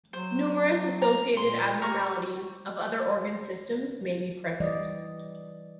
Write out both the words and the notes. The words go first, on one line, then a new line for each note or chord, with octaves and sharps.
Numerous associated abnormalities of other organ systems may be present.
F#3 C5
A#5
A#2 C6
G4 A#4 C#6
E3 G3 D5 D#5